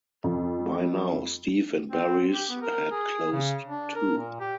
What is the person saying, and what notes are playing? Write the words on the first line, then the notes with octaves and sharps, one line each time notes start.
By now, Steve and Barry's had closed too.
F2
C4
G4
B3
A#4
G#4
C#3
D4
A#4
A#2
G4